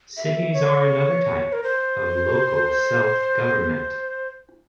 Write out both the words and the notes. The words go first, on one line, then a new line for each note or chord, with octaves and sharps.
Cities are another type of local self-government.
E5
C#5
A#4
C5